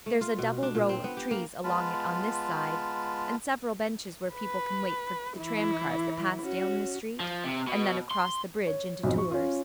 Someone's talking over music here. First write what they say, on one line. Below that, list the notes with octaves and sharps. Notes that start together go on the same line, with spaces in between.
There's a double row of trees along it on this side, and several benches where people can wait for the tram-cars that pass down this street and then across the bridge into Tours.
A3
F4
B2
D4
A#2
C4
B3
G4
A#3
G#3 B3 F4 A5 B5 F6
B4
E3 E4
C#4 F#4
F3
C3
B2
C6
C#5
B1 F2
C#6
C#4 F4